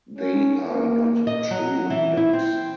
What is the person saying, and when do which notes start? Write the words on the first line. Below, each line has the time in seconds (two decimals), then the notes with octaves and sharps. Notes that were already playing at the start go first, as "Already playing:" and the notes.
They are not true ducks.
0.18 C#4
0.68 A#3
1.27 D#5
1.51 F#3
1.90 E3
2.17 E4
2.33 C4